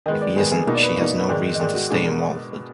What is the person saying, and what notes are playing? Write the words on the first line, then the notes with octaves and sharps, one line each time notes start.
If he isn't, she has no reason to stay in Walford.
D#3 G#3 B3 D#5
D5
D#3 G#3 B3 G#4
G#4
B2 A#3 D#4 A#4
D5
B4
B2 A#3 D#4 D5
B4
G#2 D#3 G#3 D5
D#5
G#2 D#3 G#3 D5
F#4
B2 G#3 D4 G#4
A#4